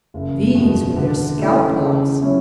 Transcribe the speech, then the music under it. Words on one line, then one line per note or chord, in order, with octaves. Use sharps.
These were their scalp locks.
F#1
E2 B2
D3
A3 C#4 E4
C#3
F#3 C#4 E4